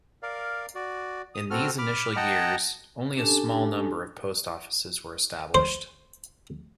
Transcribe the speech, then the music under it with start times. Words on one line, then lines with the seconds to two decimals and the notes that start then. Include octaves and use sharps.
In these initial years, only a small number of post offices were established.
0.23 A#4 D5 F5
0.75 F#4 D5
1.35 D#6
1.50 C4 F#4 A4 F6
1.78 B5 D6 F6
2.16 D#5 F#5 G5 A5 A#5
3.17 C#4 D4 G4 A4 G#5 A5
5.55 C5